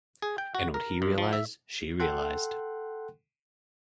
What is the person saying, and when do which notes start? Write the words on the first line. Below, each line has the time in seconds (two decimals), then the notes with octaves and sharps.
And what he realised, she realised.
0.22 G#4
0.38 G5
0.55 F#4
0.74 A#4
1.02 F#2
1.18 F3
1.33 E5
2.00 A4 F#5 G5 C6 F#6